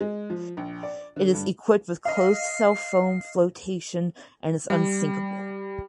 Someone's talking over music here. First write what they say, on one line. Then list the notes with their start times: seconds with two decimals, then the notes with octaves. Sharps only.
It is equipped with closed cell foam flotation and is unsinkable.
0.01 G#3
0.30 F3
0.57 A#1
0.83 D5
1.16 D3
1.33 G2
2.05 D#5 F5 C7
4.70 G3